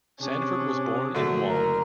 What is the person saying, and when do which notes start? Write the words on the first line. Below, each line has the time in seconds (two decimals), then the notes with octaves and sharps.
Sanford was born in Guam.
0.21 C3 C#4 D4 G#4
1.15 A#1 D3 F#3 A3
1.47 F#1 A#4